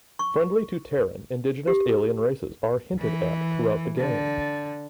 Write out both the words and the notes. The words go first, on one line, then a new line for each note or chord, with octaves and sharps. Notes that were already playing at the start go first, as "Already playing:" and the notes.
Friendly to Terran indigenous alien races are hinted at throughout the game.
C#6
G4
E3
D3